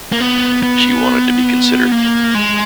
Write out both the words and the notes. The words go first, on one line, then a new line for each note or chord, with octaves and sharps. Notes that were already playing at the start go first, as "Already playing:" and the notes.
She wanted to be considered.
A#3
B3
B3
A#3
G#3